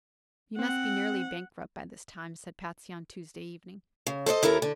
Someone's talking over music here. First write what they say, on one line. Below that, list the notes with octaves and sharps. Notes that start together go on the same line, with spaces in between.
"You must be nearly bankrupt, by this time," said Patsy on Tuesday evening.
C4 F#5
C#3
A4 C5 C#5 D#5
D#2 E4 G4 A4 A#4
D3